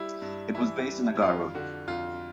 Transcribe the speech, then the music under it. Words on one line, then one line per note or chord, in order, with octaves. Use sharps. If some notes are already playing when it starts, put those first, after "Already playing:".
It was based in Agaro.
Already playing: G3 E4
G2
E3 E4
G3
F2 F4
D3 F#4
F2 F4